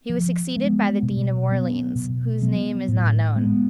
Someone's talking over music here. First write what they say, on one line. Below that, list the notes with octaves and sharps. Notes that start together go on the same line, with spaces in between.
He was succeeded by the Dean of Orleans, whose name is not known.
F3
G#3 B3
B2
F#3 B3
B2
F#3 B3
A2
G#3 B3